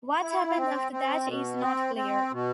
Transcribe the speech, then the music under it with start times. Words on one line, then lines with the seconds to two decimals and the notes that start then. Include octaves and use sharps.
What happened after that is not clear.
0.22 E4
0.57 C4
0.92 C4
1.27 B2
1.62 C4
1.96 C4
2.32 B2